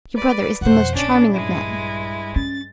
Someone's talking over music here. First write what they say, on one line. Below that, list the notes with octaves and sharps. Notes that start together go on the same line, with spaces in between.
Your brother is the most charming of men.
B4 D5
F2 B2 C5 F#5
A#1 C#4 D4
G2 G#3 E4
C#4 A6